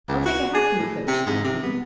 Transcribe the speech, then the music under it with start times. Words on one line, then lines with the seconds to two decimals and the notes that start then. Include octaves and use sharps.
"I'll take a hackney-coach!" thought he.
0.08 C#2
0.26 F#4
0.55 G#4
0.79 A2
1.08 C3
1.26 G#2
1.44 C3
1.63 B3